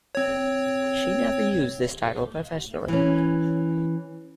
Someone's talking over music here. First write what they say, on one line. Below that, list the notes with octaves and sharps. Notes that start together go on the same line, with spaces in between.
She never used this title professionally.
C4 C#5
E3 C#4